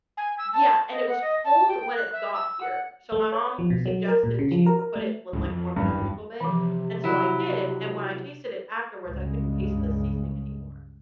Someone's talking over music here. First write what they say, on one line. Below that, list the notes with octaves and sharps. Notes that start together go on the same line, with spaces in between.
Yeah, and it was cold when it got here, so, my mom suggested to put it l like warm it up a little bit, and so I did, and when I tasted it afterwards, I couldn't taste the seasoning anymore,
G#5
E6
A5
D#5
F#5
D#5
A5
G5
F#6
E5
E6
F#5
A3
C#5
F3
B2
F#3
A#4
A#2
C#3
F3
A#4
A#4
A3
C#2 G2 E3
F2
G#1 E2 G2 G3
C3 E3 F3
F#3 E4
C#2 G2 C#3 G#3